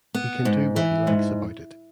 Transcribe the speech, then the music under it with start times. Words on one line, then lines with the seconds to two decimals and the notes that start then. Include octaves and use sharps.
He can do what he likes about it.
0.14 B3
0.45 G#2
0.76 E3
1.07 G#2